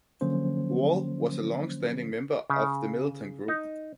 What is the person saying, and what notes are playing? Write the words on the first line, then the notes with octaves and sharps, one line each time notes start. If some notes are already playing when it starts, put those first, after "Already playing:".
Wall was a long-standing member of the Militant group.
D3 F3 F#3 A#3 C#4 C5
C#3
D#4